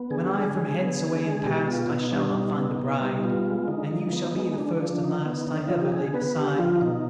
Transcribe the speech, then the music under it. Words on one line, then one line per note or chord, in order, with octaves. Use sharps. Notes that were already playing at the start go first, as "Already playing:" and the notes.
"When I from hence away am past I shall not find a bride, And you shall be the first and last I ever lay beside."
Already playing: B3
D3 G#4
G4
G#3 G#4
D3 G#4
B3
D3
G#3
B2 G4
D#4
B3 F4
B2 D#4
G3 D4
B2 D#4
B3
B2
G3
B3 F4
G#3
D3 D#4
F3
B3 D#4
G#3
D3 D4
F3
D3 D#4
B3
D3 D#4
F3 F4
G4
D3 G#4
B3 B4
D3 G4
F3 F4
B2 D#4